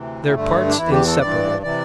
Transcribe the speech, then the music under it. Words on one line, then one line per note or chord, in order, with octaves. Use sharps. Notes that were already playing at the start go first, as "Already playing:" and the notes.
Their Parts inseparable.
Already playing: D2 C3 E3
G2 D3 A3
D4
E2 E3 E4
G4
A4
G2 E3 D5
C3 E3 D5